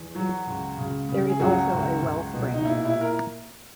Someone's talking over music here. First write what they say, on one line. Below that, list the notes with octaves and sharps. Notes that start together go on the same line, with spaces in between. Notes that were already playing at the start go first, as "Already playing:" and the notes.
There is also a well spring.
Already playing: E2
F#3 F#4
C#2
C#3
C#3
G#4
C#2 F#3 F#4
C#2
C#2
B2
D#4
A#2 E4
E4
A#4